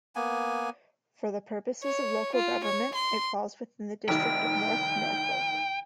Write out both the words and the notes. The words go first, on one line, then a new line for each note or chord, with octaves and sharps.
For the purposes of local government, it falls within the district of North Norfolk.
A#3 B3 G#5
C#5
F4
C#5
C6
F1 C2 D#3 G5